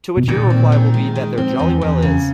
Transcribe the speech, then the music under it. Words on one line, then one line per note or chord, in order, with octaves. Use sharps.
To which your reply will be that there jolly well is.
B2
A#2 D#3
C4
D#3
G#3
D#3
C4
E2
E2
C#3